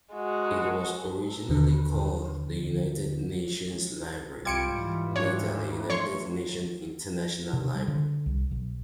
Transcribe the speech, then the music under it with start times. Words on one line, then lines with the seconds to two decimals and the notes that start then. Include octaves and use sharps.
It was originally called the United Nations Library, later the United Nations International Library.
0.14 G#3 F#4
1.49 D#2 D3
4.45 C2 G3 F4 G#6 C#7 D7
4.75 G#2 E3
5.16 D4 C#5
5.47 A2
5.90 C#5 C6 C#6
7.53 C3
7.75 G3
7.88 D3
8.26 C2
8.51 B1